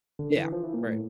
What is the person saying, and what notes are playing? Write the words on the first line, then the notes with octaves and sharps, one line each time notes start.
Yeah, right.
D3
E3
F3
E3
A#2
A2